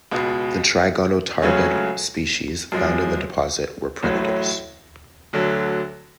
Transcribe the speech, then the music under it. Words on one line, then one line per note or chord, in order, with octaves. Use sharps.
The trigonotarbid species found in the deposit were predators.
C#2 B2 G#3
C#2 C#3 F#3 A3 C#4
F#2 F3 G#3
A1 A2 F#3 A3
D2 D3 F#3